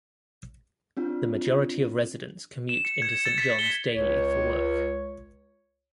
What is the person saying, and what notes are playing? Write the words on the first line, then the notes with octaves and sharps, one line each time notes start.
The majority of residents commute into Saint John's daily for work.
C4 D4 F4
E7
C#7
G#6
A6
B6
G7
C#2 C#5